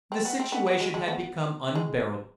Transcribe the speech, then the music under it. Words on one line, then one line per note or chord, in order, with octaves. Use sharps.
The situation had become unbearable.
C4
B3
C4
B3
B3
G#3
G#3
B3
G#3